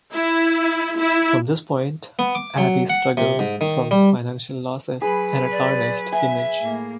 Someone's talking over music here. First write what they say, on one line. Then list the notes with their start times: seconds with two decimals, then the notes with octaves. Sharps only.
From this point, Abbey struggled from financial losses and a tarnished image.
0.13 E4
0.98 E4
2.19 B3
2.35 D6
2.58 F#3
2.90 F#5
3.17 C3
3.39 G#2
3.61 D#3
3.91 G3
5.02 F#3 G#4 B4 B5
5.52 D5
6.12 E5 G#5
6.60 A2 A#3